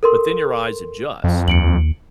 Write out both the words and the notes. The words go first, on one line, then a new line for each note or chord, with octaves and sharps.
but then your eyes adjust.
A4 A#4 C6
F2
D#2 C#7 D7 F#7